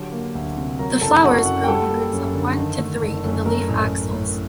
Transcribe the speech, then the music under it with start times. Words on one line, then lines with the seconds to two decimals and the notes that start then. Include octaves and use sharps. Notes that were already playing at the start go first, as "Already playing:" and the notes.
The flowers grow in groups of one to three in the leaf axils.
Already playing: D3 F#3 G4 G5
0.12 A#3
0.35 D2
0.57 C3
0.79 F#3 A#4 A#5
1.01 F#1 A4 A5
1.23 F#1 F#4 F#5
1.45 F#2 F#4 F#5
1.64 G5
1.68 G3 A4 A5
1.90 A#3
2.13 F#2
2.35 D3
2.57 D#3
2.79 A3
3.02 F#1
3.24 F#2
3.46 A3 A#4 A#5
3.68 A1
3.90 A1
4.13 A2